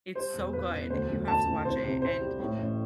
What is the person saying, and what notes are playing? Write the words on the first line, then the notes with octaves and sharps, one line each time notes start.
It's so good, you have to watch it and
G3 C5
E1
E1 B4
E1
D2 C5
D2
D2 A5
D2
C2 C5
C3
C3 C5
G3
A2
A1